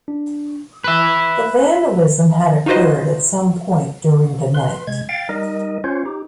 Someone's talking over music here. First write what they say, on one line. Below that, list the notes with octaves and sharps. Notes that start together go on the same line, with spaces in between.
The vandalism had occurred at some point during the night.
D4
B4 E5
D#4 F4 F#4 B4 C5 D#5
B4 C6
C3 G#3 G#6
F5 G5 A6
G3 D#4 A#4 D#5
C#4 F4 C5 C#5
D#4 G4